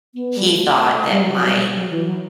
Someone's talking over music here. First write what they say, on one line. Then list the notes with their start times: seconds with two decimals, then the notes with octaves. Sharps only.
he thought that my
0.14 B3
0.37 G3
0.46 A3
1.11 G3
1.21 F#3
1.35 F#3
1.42 G3
1.74 F#3
1.90 E3
2.05 F#3